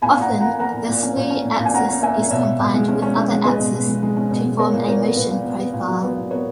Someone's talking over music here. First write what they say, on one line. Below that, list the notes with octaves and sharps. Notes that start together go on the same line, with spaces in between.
Often the slew axis is combined with other axis to form a motion profile.
A#2 G#5 B5
A#2 F#5 A#5
A#2
A#3 F#5 A#5
A#3 F#5 A#5
A#2
A#2
C#4
A#2
C#4
A#2
A#2
G#5
C#4 F#5 A#5
C#4
A#3 E5 G#5
A#2
B2 C#5 E5
B2
B2
G#3
C#4
C#4
C#4
G#3
G#3 B4 D#5
B2
B2
G#3
G#3
C#4
B2
G#3
B3 A#4 C#5
A#2
A#2 A#4 C#5
B3
A#2 B4
A#2
B3
B3
A#2
F#3
B3
A#2
B3 A#4 C#5